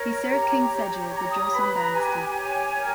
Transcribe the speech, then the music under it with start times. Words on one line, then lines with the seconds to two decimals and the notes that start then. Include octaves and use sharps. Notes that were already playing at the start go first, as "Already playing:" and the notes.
He served King Sejo of the Joseon dynasty.
Already playing: A#4 C#5
0.28 G4 A#5
0.70 C#5
1.11 G4 A#5
1.32 D#6
1.53 B4 B5
1.73 A#5
1.95 G4 G#5
2.36 C#5
2.78 A#4